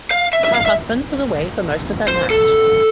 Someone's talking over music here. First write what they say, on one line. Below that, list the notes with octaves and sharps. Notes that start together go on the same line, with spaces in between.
Her husband was away for most of their marriage.
F5
E5
E5
F5
E5
C5
A4